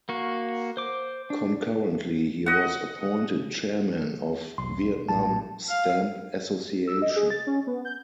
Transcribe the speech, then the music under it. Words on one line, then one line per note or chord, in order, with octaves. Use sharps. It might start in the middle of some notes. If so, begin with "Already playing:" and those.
Concurrently he was appointed Chairman of Vietnam Stamp Association.
A#3 F#4
C5 D6
D4
D#5 F#5
E1 B1 C6
A#1 A2 A5
F5
E6
D#5
G#4
A6
C#4
B3
G6